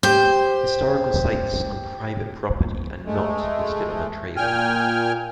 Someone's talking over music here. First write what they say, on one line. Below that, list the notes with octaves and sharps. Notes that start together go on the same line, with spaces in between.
Historical sites on private property are not listed on the trail.
G4 C5 G6
G#3 A3
A#2 G5 G#5 F6